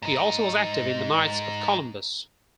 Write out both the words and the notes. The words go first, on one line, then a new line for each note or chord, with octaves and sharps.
He also was active in the Knights of Columbus.
G#2 D#4